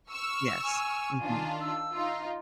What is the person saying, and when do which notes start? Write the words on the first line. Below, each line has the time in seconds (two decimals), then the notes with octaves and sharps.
Yes, mhm.
0.10 C#6 E6 F6
0.64 G#5
1.21 D#3 D4 F4
1.61 E6
1.93 D#4 F4